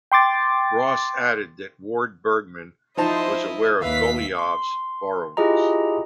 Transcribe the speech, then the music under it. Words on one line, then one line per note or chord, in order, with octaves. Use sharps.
Ross added that Ward-Bergeman was aware of Golijov's borrowings.
G5 C6 D6 A6
F3 D#4 E4 C5 D#5 A5
D#2 G#2 A#3 B4 E5 F5 B6
C6
E4 F4 G4 G#4 D#5 A#5